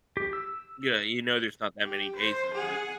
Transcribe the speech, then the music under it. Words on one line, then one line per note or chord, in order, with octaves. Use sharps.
Yeah, you know, there's not that many days in a week,
G4
E6
G4
C5
G#4 F#5